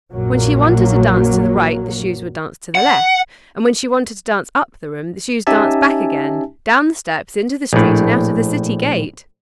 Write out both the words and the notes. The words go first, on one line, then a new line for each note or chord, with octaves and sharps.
When she wanted to dance to the right, the shoes would dance to the left, and when she wanted to dance up the room, the shoes danced back again, down the steps, into the street, and out of the city gate.
A#1 F#2 A#2 F#3 A#3
F#5
C#4 D#4 G4 E5 G#5 A5
A#1 A2